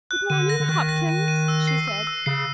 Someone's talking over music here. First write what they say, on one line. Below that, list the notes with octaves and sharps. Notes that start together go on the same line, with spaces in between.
"Good morning, Hopkins," she said.
F#6
D3 D#7
A#6
D3
D#3 F#6
A#6
D#7
D#7
E6
C7
E6
E6
C#3 C7